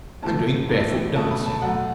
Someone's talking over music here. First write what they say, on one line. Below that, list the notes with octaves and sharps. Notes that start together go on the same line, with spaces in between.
I'm doing barefoot dancing.
A2 F#3 A3 A5
A2 E3 A3
B2 A3 A5
B5
A5
F#2 F#3 A3 F#5